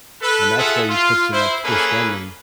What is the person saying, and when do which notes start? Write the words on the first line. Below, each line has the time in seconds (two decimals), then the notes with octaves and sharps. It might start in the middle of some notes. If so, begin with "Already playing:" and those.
and that's why he puts in that twist ending
0.22 A4 B4
0.58 F4 G#4 A4 E5 F#5
0.89 F4
1.33 E4 C5
1.64 A#3 C#4 G#4 A4 B4